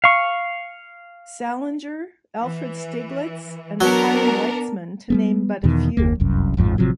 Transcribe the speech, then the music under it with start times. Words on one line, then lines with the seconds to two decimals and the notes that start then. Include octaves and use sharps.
Salinger, Alfred Stieglitz, and Chaim Weizmann, to name but a few.
0.04 F5 C#6
2.42 E3
3.81 F#3 B3 D4 A#4
5.10 G3 A#3 B3
5.64 E2 B2 D#3
5.97 F#1 D#2 A#3
6.20 F1 C2 F#2
6.57 A1 F2 G#2 F3
6.78 A1 C3 F3 F#3